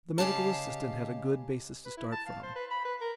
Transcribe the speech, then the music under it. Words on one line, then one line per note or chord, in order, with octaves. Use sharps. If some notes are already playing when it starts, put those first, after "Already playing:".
The medical assistant had a good basis to start from.
C#3 G#3 G4 F5 A5
B4
E4
A5
F5
C5
B4
B5
B4
A#4